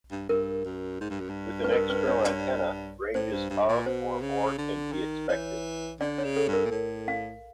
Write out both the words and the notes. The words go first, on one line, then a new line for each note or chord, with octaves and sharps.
With an external antenna, ranges of or more can be expected.
G2
G2 A#4
F#2
G#2
G2
F#2
G2
B4
A#4
B4
C#5
D5
A2 C5
G2
G2
A#2
B2 C5
C#3
D3
D#3
E3 C#5
D3 D5
C#5
C#3
A4
G2
A#4
A#2
A2
F5